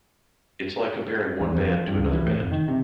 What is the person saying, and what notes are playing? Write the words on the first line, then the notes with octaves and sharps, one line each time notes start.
It's like comparing one band to another band.
E2
F2
F3
G2
C#2
E3
A2
F1
D#3
C3